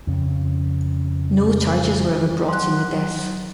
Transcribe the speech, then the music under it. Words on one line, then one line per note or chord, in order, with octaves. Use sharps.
No charges were ever brought in the deaths.
F2 C#3
F#3 C6 F#6